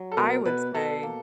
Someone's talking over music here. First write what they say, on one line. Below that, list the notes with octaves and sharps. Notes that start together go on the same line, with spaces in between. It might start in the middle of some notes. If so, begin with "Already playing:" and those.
I would say
Already playing: F#3
A4
B2 A#4
B2 B4
B2 A4
A#3